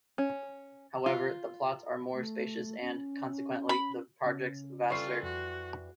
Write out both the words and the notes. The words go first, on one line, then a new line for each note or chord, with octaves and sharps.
However, the plots are more spacious and, consequently, the projects vaster.
C#4
F4
A3
C#4
B5
C#3 C#4
E3 G3 F4 A4 C6 C#6 C7
F2 F#4